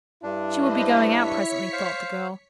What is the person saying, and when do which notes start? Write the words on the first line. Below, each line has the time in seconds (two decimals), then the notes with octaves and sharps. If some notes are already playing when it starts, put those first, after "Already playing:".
"She will be going out presently," thought the girl.
0.23 G2 D4 E4
0.55 B4 C5 D#5
1.02 C#5 B6 C#7
1.72 C5 F5